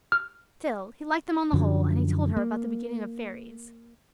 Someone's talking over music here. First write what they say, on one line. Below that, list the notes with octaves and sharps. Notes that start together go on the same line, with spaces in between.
Still, he liked them on the whole, and he told her about the beginning of fairies.
F6
F#2 D3 F3 F#3
A#3